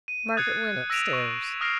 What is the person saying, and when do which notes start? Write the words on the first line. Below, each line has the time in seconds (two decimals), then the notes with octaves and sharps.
Margaret went upstairs.
0.08 D#7
0.37 D#6 F#6 G#6 A6 C7 C#7
0.90 E6 A#6 B6 D7 E7 F7
1.13 C#6
1.61 D#6 F6 A#6 C7 D7